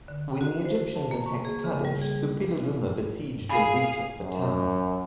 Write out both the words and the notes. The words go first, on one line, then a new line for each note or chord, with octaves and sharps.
When the Egyptians attacked Kadesh, Suppililiuma besieged and retook the town.
D3
F#4
C5
A5
A#3
C#6
G#4
C#3
G3
G#4
G#4 F5 G#5 B5
F#2